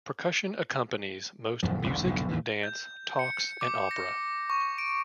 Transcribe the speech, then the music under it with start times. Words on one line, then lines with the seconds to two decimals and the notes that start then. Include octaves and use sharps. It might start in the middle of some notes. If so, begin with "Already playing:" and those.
Percussion accompanies most music, dance, talks, and opera.
1.63 D#1 F#2 F3
1.82 E1 C2 D3
2.03 F1 B1 G#2 D3
2.28 D#2 A2 E3
2.63 G6
3.19 C#7
3.61 D6
3.91 A#6
4.50 C#6
4.78 D7